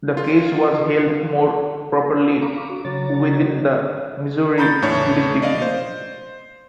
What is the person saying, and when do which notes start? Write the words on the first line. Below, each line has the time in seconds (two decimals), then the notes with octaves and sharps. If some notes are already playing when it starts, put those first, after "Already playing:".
The case was held more properly within the Missouri jurisdiction.
0.17 F4
2.42 F5 A#5 B5 C#6 D6
2.70 F#4 D6
2.85 C#3 F#3 F#4 C#5 A#5 A6
4.58 A#5 B5 G6 A6
4.82 E2 A2 D4 C#5
5.42 D5 D#5 F5
5.62 C5